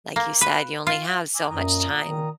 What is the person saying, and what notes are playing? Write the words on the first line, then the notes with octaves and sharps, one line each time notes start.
like you said, you only have so much time.
A#3
B4
F4
G#5 D6 E6
F#2 A#2 A#5 D#6
D#3